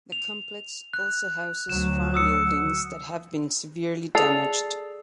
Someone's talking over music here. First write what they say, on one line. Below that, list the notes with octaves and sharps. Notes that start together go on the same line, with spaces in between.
The complex also houses farm buildings that have been severely damaged.
F7
F#6
D2 F#3 E7
D#6 E6 C#7
G#4 A4 D5 C7